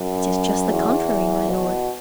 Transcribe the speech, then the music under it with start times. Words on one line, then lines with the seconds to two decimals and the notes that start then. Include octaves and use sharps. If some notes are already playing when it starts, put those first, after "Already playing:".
'It is just the contrary, my lord!
Already playing: F#2
0.71 E2
1.49 B2